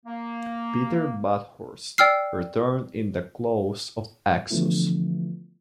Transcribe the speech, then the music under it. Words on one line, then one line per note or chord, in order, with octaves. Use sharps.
Peter Bathurst returned in "The Claws of Axos".
A#3
D5 G5 E6 F6 C7
D3 E3 F3 A3 B3 E4